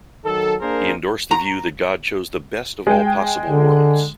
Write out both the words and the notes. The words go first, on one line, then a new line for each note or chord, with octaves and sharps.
He endorsed the view that God chose the best of all possible worlds.
D#3 F#3 A4
A#3 D4 G#4 A#4 C5
A#5
G#3 G5
D3